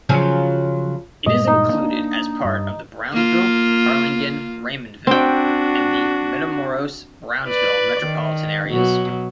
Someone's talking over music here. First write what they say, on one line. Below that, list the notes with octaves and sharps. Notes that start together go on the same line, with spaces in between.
It is included as part of the Brownsville-Harlingen-Raymondville and the Matamoros-Brownsville metropolitan areas.
C#3 F3 F#3
G2 A#2 G#3 D#5
D#4
A#3 D4
G2
A#3 F4
C4 D4 F#4 G5
B4 D5
D#3
B2 F#3